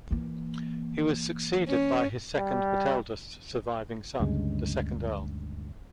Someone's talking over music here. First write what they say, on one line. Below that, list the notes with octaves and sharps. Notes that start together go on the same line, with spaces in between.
He was succeeded by his second but eldest surviving son, the second Earl.
E3 A#3
C#4
G3
D2 G2 C#3 G#3